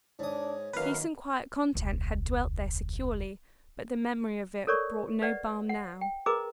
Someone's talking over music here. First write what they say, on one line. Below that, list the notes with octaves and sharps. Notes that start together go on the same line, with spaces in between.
Peace and quiet content had dwelt there securely, but the memory of it brought no balm now.
G#2 D4 C#5 D#6
F#2 D#3 A#3 B4 F5
E1 C#2
A4 A#4 C#5 D5 C#6
B4 D5 D#5 F#5
F#5
G5
G#4 A#4 B4 D#5 A#5 D6